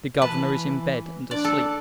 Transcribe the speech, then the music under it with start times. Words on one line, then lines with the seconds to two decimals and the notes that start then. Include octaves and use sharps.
"The governor is in bed, and asleep."
0.22 E3 B4 A5
1.31 D4 D5
1.45 A4